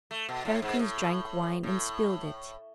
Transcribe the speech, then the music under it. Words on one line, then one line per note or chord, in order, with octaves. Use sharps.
Heracles drank wine and spilled it.
A3
B2
A2
G#2
A2
A2